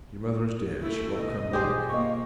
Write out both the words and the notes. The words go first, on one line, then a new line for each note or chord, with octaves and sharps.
"Your mother is dead; she won't come back."
A3 E4
C2 D#5
B1 F4 G4 G#4 C5
A#3 D#5 C#6